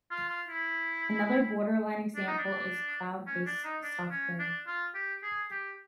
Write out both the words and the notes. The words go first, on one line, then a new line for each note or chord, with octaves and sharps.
Another borderline example is cloud based software.
F4
F4
E4
D4
D#4
D4
C#4
D4
D#4
D4
C#4
D4
F4
G4
G#4
G4